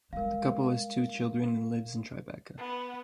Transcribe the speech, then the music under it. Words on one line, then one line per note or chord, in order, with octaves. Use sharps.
The couple has two children and lives in Tribeca.
G3 G#3 A#4 F5
B3